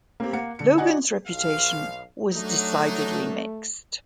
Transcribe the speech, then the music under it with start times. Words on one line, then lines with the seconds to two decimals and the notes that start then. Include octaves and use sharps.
Logan's reputation was decidedly mixed.
0.20 A#3 C4 G4
0.33 A#3 F#5 C#7
0.59 D3 C#7
0.78 D#4 F#4 D5 D#5 F#5 G#5
1.27 B1 F5
2.33 F#3 A3 D4 D#4